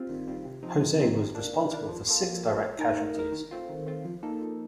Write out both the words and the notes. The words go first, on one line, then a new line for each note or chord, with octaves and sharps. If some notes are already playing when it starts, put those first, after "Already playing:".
Jose was responsible for six direct casualties.
Already playing: G3 C4 F4
D#3
G3 C4 F4
C3
F3 C4 D#4
C3
F3 C4 D#4
D#3
A#3 D4
D#3
A#3 D4
F3
A#3 F4 A4
F3
A#3 F4 A4
A3
D#4 A#4
A3
D#4 A#4
D#3
A3 C4 F4
D#3
A3 C4 F4
F3
A#3 D#4 A4
F3